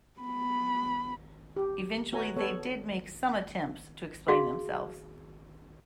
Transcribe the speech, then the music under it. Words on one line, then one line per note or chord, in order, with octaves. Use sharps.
Eventually they did make some attempts to explain themselves.
B3 B5
G4
B3 F#4 C#5 G#5 A#5
B3 A4 C#5
F#4 G#4 F5